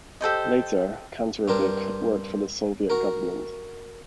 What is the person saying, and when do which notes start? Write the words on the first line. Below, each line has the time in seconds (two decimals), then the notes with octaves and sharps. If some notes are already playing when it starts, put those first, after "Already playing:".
Later, Kantorovich worked for the Soviet government.
0.21 G4 A4 C5 D#5
1.48 G2 C4 D4 A#4
2.90 F#4 A#4